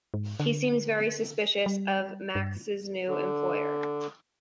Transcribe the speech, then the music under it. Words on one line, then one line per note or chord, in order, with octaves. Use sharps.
He seems very suspicious of Maks's new employers.
G#2
D3
G3
G2
D3